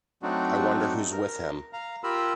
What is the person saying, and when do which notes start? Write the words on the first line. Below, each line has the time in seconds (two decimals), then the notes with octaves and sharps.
I wonder who’s with him.
0.23 F#3 A3 C4 D4 D#4 F#4
1.13 A#4
1.73 F5 A#5
2.04 F4 G4 A#4 B5 E6